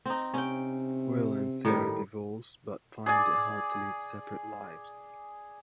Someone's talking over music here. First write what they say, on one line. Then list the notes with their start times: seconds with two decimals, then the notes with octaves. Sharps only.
Will and Sarah divorce but find it hard to lead separate lives.
0.06 C4 D#4
0.34 C3 C#4 G5
1.65 A2 D#3 G3
3.06 G#4 D5 G#5